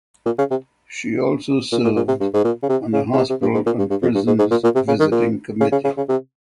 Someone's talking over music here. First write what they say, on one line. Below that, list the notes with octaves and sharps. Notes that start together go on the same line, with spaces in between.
She also served on the Hospital and Prisons Visiting Committee.
A#2
C#3
C3
A#2
A#2
A#2
C3
G2
G#2
A#2
C#3
C3
C#3
C#3
C3
C3
G2
G#2
A#2
G2
G2
F2
G2
G#2
G#2
A#2
A#2
C3
C#3
D#3
A#2
C#3
C#3
C#3
C#3
C3